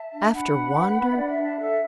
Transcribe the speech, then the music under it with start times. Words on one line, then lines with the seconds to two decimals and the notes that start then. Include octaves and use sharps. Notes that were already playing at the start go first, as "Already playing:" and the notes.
After Wander?
Already playing: E5 A5
0.12 D4
0.33 D4 F#5 B5
0.54 D4
0.75 B4
0.95 B4
1.11 E5
1.16 D4 D5 F#5
1.30 E5
1.37 D4
1.44 E5 A5
1.58 A4 E5